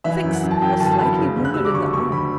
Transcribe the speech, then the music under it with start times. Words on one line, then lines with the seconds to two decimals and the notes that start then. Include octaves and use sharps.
Fix was slightly wounded in the arm.
0.04 E3 E5
0.23 F#2
0.32 F#5
0.43 F#2
0.51 A5
0.61 F#2 G5
0.80 G1 A5
0.92 A5
0.99 G1 B5
1.19 C#3
1.36 D2
1.45 F#6
1.54 G3 E6
1.65 D6
1.74 D2 C#6
1.93 D2 C#6
2.12 D2 B5